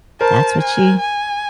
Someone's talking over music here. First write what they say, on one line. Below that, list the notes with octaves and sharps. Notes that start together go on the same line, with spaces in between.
that's what she
A#4 C5 A5
G#5
G#5